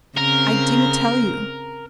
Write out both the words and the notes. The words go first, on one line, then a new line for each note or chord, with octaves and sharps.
I didn't tell you.
C#3 C4 A#4